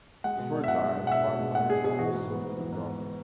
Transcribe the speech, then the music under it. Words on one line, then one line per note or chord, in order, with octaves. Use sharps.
The fertile farmlands are also in the zone.
G#3 F#5
B2
D4
E5
B2 F#5
G#3
B2
F#5
D4 E5
B2
G#3
B2 F#5
D4 G#4
B2 G#4
E3 F#4
G#2
B3
G#2
E3
G#2
B3